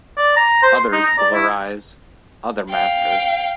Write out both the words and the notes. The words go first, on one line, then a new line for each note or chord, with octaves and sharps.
Others will arise — other masters.
D5
A#5
C5
C6
D#4
A#5
D5
E4
F5 G5